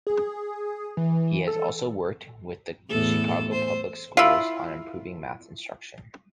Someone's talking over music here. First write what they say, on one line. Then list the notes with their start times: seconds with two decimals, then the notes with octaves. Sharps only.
He has also worked with the Chicago Public Schools on improving math instruction.
0.07 G#4
0.97 E3
1.47 A4
2.90 E2 A2 A4
3.52 C5
4.17 E4 F4